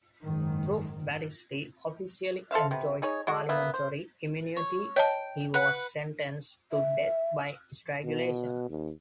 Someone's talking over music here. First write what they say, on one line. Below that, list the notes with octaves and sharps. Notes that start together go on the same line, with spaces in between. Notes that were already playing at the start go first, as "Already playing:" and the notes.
Though Battisti officially enjoyed parliamentary immunity, he was sentenced to death by strangulation.
F#1 G#2 D#3
A4 C5 E5 F5
C3 B3
D#4 G#4 C#5
G#3 F#4
A#3 B3 E5
C5
C#5
C#5 D#5 G5 A5
B4 F#5
E5
B2
D#2